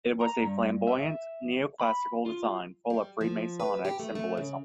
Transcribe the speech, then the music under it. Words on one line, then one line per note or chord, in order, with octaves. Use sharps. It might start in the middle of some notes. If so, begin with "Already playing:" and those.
It was a flamboyant Neoclassical design full of Freemasonic symbolism.
A#5
G2
E5
B5
F4
G3
F3
B4
G4
A3
A3
C#3